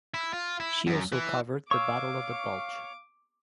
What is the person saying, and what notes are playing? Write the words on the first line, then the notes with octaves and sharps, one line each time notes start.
She also covered the Battle of the Bulge.
E4
F4
E4
F#2
E3
C#5 F5 C#6 D6 E6